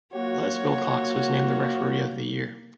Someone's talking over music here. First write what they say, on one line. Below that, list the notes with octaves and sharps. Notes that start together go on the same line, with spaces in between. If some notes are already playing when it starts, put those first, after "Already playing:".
Les Wilcox was named the Referee of the Year.
F#3 A#3 F4 F#4 C#5